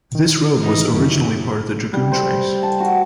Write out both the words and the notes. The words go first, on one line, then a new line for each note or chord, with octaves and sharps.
This road was originally part of the Dragoon Trace.
D#3
E3 D#4
F#2 C3 D#3 F#3 E4
G3
C5
A5
F#4